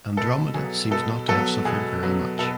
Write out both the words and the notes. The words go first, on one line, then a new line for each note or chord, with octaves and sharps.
Andromeda seems not to have suffered very much.
B2 A4
F#3 B3 G#4
B2 A4
F#3 B3 A4
B2 G#4
F#3 B3
B2 A4